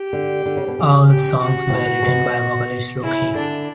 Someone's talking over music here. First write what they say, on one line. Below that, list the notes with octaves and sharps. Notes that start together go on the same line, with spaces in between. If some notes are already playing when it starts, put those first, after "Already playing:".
All songs were written by vocalist Ruki.
Already playing: G4
D3
D3
C#3
B2
C#3
G4
F#4
A2
B2
C#3
B2
C#3 E4
D3 D4